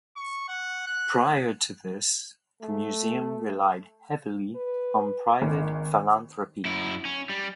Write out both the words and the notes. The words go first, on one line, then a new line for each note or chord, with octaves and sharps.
Prior to this the museum relied heavily on private philanthropy.
C#6
F#5
F#6
A3
B4
G#1 D#3
F#2 E4
C#4
G3